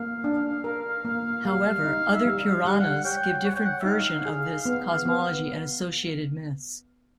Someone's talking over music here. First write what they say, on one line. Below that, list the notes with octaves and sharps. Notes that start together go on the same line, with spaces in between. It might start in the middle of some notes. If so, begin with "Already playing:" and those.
However, other Puranas give different version of this cosmology and associated myths.
Already playing: A#3 F5
D4
A#4
A#3
G3 F5
D#4
E5
G3 F5
G3 F#5
F5
F#5
C#5 G5
C#5 F#5
G5
F#5
E5
D#4 F5
G#4
B3
B3